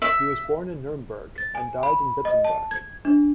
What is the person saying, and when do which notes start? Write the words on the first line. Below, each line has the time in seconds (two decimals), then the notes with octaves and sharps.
He was born in Nuremberg and died at Wittenberg.
0.02 E5
1.38 A6
1.55 G#5
1.83 B5
2.25 D#5
2.45 A5
2.71 G#6
3.05 D4